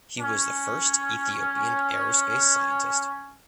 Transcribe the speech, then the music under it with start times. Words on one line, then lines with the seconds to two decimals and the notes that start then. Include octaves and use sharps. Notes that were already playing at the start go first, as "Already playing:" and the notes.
He was the first Ethiopian Aerospace scientist.
0.20 C#4